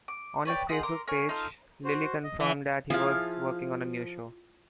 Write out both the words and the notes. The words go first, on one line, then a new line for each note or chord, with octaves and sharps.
On his Facebook page, Lilley confirmed that he was working on a new show.
D6
B4 C#5 D5 G5
D#4 F4 G#4 F#5
A#4 C6 D6
A#4 C#5 G#5
D#4 F4 A4 F6
F#4 C5
D#5
E3 E6
F3 E4 F4 G#4 F5